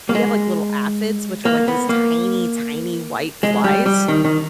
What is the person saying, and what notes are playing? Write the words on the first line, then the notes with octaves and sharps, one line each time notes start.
we have, like, little aphids, which are, like, these tiny, tiny white flies,
A#3
G#3
A#3
B3
A#3
G#3
G3
G3
D#3
D#3